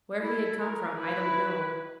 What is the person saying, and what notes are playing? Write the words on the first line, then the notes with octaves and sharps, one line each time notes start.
Where he had come from, I don't know.
E4 A4
A#4
E4 B4